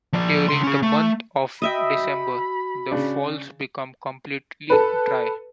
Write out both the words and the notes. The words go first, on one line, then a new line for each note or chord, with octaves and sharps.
During the month of December the falls become completely dry.
F3 D5
C#3 C6
C#4 G#4
A3
F#4 D#5 E5 G5 B5
C#3 D4
A4 B4